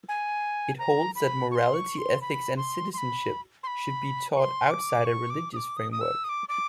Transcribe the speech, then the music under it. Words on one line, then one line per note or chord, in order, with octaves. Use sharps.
It holds that morality, ethics and citizenship should be taught outside a religious framework.
G#5
A#5
B5
C#6
C6
C#6
C6
B5
C6
C6
B5
C6
B5
C#6
C6
D6
C#6
D6
D#6
D6
D#6
D#6
E6
D#6
D6
D6